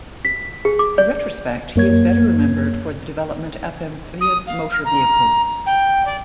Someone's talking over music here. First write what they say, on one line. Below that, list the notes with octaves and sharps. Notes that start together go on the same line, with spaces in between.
In retrospect he is better remembered for the development of amphibious motor vehicles.
B6
G#4
D6
D5
F#2 A#3 C#5 G#6
D#6
F5
F6
A#5
G5
D5